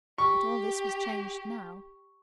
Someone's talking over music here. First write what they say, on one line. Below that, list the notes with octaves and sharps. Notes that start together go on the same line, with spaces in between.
But all this was changed now.
G4 C#6